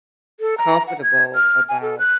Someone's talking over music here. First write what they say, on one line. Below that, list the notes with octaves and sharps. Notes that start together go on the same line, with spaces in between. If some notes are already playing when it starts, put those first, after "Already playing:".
comfortable about,
A4
A#5
F#5
G#6
F6
G#5
A4
F#6